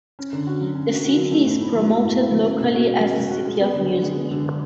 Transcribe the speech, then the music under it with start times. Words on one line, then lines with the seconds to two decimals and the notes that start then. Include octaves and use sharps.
The city is promoted locally as the "City of Music".
0.19 C#4
0.33 D3
0.47 F#4
0.61 F#3
0.75 C#4
0.90 D3
1.04 F#4
1.17 F#3
1.32 A3
1.46 A2
1.61 E4
1.75 F#3
1.90 A3
2.03 A2
2.17 E4
2.31 F#3
2.46 C#4
2.60 B2
2.74 F#4
2.88 G#3
3.03 C#4
3.17 B2
3.31 F#4
3.45 G#3
3.61 B3
3.74 D3
3.89 D3
4.03 G#3
4.16 B3
4.31 D3
4.46 D3